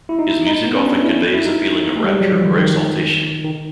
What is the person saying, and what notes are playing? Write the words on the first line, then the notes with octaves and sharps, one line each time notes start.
His music often conveys a feeling of rapture or exaltation.
E4
D#4
E4
D#4
B3
C#4
D4
E4
E4
D#4
A3
G3
G#3
F#3
F3
D#3
D#3
D#3